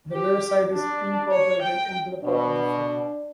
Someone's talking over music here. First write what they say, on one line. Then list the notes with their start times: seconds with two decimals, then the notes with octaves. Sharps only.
The rear sight is incorporated into the top of the frame.
0.13 G4
0.75 D4
1.32 C#5
1.63 G5
2.24 B2 D4